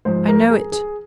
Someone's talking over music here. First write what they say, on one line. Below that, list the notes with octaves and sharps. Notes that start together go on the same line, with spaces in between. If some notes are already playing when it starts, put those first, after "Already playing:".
I know it.
G#2 F3 C5
A#4
G#4
G#4